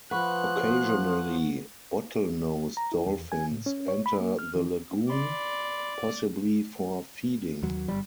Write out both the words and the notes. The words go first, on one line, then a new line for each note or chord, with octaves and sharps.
Occasionally, Bottlenose Dolphins enter the lagoon, possibly for feeding.
F3 B4 F#5 C#6 F#6
A#5
E4
E2
G#5
A2
C#4
C#5
B5
A#3
F6
E3
D5 B5 C6
D#2 F#3
G1 G3